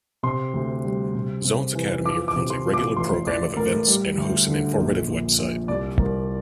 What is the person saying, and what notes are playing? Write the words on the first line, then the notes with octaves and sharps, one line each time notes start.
Zoence Academy runs a regular programme of events and hosts an informative website.
C3 C6
D2
G3
C3
C3
E3
F3 D6
D6
C3
C6
F3
D6
A1 C6
A1 D5
A2 A#4
G3
D2
D3
A#1
A#1
A#1
C2 D5
C2 A#4